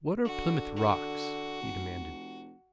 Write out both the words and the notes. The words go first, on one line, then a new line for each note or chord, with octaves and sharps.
"What are Plymouth Rocks?" he demanded.
D3 F#4
F#4
F1